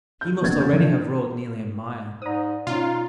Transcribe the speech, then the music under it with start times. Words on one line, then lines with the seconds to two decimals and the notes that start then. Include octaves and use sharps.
He must already have rowed nearly a mile.
0.21 G6
0.41 F1 A#1 B3 G#6 A6
0.57 E1 C#4 G6
0.73 D3 E3 F3 D4
2.22 G#2 C5 D5 A#5 D#6
2.67 B2 C#4 D#4 F4